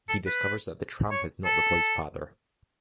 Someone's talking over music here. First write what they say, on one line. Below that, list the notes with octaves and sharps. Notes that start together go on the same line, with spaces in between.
He discovers that the Tramp is not the boy's father.
A4
B4
C#5
A4